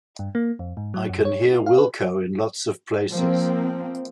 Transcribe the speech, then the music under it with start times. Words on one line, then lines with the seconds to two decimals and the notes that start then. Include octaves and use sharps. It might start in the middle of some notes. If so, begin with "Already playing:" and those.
I can hear Wilko in lots of places.
0.19 G2
0.35 A#3
0.59 F2
0.77 G#2
0.94 F#3
1.09 F#2
1.25 C#5
1.53 F4
1.66 F5
1.78 B4
3.13 F3 A#3 C4